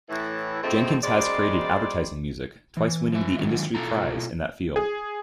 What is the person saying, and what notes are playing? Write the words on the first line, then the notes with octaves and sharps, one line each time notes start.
Jenkins has created advertising music, twice winning the industry prize in that field.
A2 E3
A2 D3 F3 G#3 A3 C4
F#2 G3 G#3 C5 D5
E3
F3 E5
D3 D#3 F#3 G#3 F4
B2 E4 F4 A4 A#5
G#4